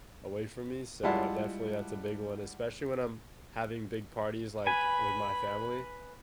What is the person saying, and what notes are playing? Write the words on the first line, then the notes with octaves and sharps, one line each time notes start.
away from me, so definitely that's a big one, especially when I'm having big parties, like, with my family,
G3 G#3 E4 F4 F#5 A5
B4 G#5 B5